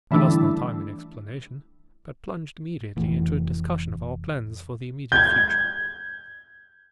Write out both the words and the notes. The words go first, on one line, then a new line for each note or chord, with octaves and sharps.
I lost no time in explanation, but plunged immediately into a discussion of our plans for the immediate future.
D3 E3 G3 A3 D4 E4
F1 E3 A3
G6 G#6